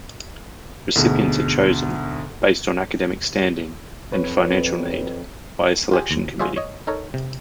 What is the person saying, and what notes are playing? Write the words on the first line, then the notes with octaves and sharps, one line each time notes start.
Recipients are chosen, based on academic standing and financial need, by a selection committee.
D2 G#2 B2
F2 B4 C#5
F4 G4 G#4
D#2
F4 F#4 G#4 C5 D5 E5
C#5 D#5
D#4 A4 A#4 C#5
C3